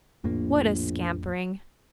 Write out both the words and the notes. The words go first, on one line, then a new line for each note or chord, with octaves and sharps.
What a scampering!
A#1 F2 A2 A#3